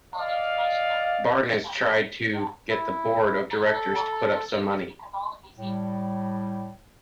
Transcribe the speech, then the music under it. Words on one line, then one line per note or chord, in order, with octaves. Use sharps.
Barnes tried to get the board of directors to put up some money.
D5 D#5 F5
E4
A4
A2 G3